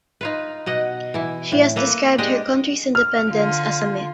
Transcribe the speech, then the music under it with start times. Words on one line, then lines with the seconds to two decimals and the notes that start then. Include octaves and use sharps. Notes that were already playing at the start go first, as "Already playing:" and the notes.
She has described her country's independence as a "myth".
0.21 D#4 F4 B4
0.66 B2 D#5 F#5
1.14 E3 E4
1.52 A2
1.76 A#3 A4 B4
2.18 G#3 D4 G4 D#5
2.95 F6
3.30 D3 F4